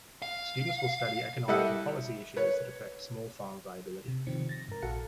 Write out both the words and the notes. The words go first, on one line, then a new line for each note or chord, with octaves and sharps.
Students will study economic and policy issues that affect small farm viability.
F5
G3 E4 A4 D#5 E5 F#5
B4 C#5
C3
C3 D#3 F3 C4 C#7
A6 A#6
G#2 A#4
A#1 F#4 A4 F5 F#5 C#7